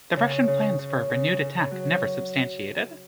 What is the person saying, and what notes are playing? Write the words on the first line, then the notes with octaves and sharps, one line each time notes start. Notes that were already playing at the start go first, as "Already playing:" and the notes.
The Russian plans for a renewed attack never substantiated.
C#3
C#3
C#3
C#3
C#3
F#3